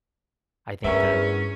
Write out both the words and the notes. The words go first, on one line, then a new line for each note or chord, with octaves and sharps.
I think that
E2 G2 C#4 A#4 E5